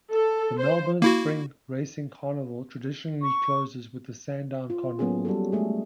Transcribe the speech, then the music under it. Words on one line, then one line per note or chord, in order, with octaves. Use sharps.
The Melbourne Spring Racing Carnival traditionally closes with the Sandown Carnival.
A4
C5
A#3 E4 F#4
C#6
F4
F#3 A#3 B3 C#4 G#4
G3 F#4 A4
G#3 A3 G#4